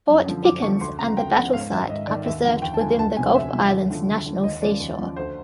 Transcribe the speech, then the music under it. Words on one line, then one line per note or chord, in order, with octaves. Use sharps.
Fort Pickens and the battle site are preserved within the Gulf Islands National Seashore.
F#2
D3 F3
F#2 D6
D3 F3 C#6
D2 C6
C#3 F3 A#5
D2 G5
C#3 F3 F#5
G#2 F5
D#3 E5
G#2 D#5
D#3 D5
D#2 E5
D3 F3 F#5
D#2 G5
A5
D3 F3 G#5
D2 A5
C3 F3 G#5
D2 E5
C3 F3
D#2
D3 F3
D#2
D3 F3
D#2 D#5
C#3 F3 D5
D#2
C#3 F3
D2 C5